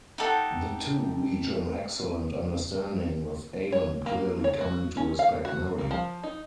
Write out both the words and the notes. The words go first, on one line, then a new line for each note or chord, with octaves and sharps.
The two reach an excellent understanding, with Avon clearly coming to respect Mary.
D#4 G4 A4 F#5
C#5
A#3
C#5
F#4
C#4
F5
F#4
A#3
F3
D#4